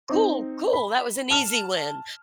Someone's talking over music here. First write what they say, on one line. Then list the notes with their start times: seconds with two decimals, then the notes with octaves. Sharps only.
Cool, cool. That was an easy win."
0.09 C4 D#4
0.73 B5
1.30 A5 F6 E7